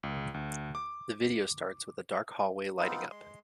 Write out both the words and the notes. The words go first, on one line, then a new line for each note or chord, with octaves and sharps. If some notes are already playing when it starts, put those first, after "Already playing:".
The video starts with a dark hallway lighting up.
C#2
D2
D6
B3 C4 D#4 F4
G#3 C6